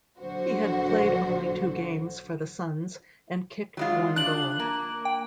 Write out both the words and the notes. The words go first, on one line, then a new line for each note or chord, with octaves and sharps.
He had played only two games for the Suns and kicked one goal.
A#1 D3 F#3 F#4 C5
F#3 G#3 F4
D4 F#6 F#7
A#3
G5